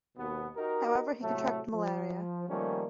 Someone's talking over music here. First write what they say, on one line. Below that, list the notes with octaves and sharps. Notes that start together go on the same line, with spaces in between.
However, he contracted malaria.
D#2 B2 B3
D#4 F#4 G4 A#4
A2 C3 F#3 A3
F3
D#3 F3 G3 A3 A#3 C#4